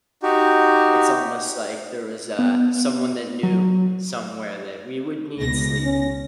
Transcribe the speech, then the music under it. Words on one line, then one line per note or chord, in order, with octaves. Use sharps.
It's almost like there was, uh, someone that knew somewhere that we would need sleep.
D#4 F#4 G4
B3
F#3
C#2 B2 A#6
C#4